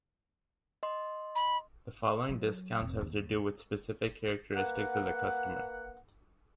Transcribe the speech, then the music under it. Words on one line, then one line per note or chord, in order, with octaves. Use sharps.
The following discounts have to do with specific characteristics of the customer.
D#5 C6
B5
F#3
F1
D#2
A#3 B4 F#5